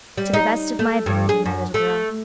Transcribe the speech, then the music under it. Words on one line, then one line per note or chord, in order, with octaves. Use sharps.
"To the best of my ability, my little girl."
G3
D#4
A3
G2
G#4
F#2
A3